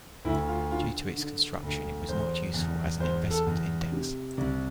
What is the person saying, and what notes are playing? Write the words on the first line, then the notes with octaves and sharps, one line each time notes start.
Due to its construction it was not useful as an investment index.
D2 E4
F4
D3 F4
D3
D2
E2 C5
E2
E2 C5
A4
E2
C3
C2